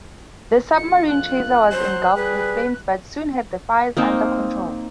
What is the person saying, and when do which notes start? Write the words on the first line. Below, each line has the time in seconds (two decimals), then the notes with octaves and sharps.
The submarine chaser was engulfed in flames, but soon had the fires under control.
0.75 A#1 F2 F4 C#7
1.08 F#6
1.72 F#3 C#4 C5
2.16 G3 G#4 B4
3.97 A#3 C4 D#4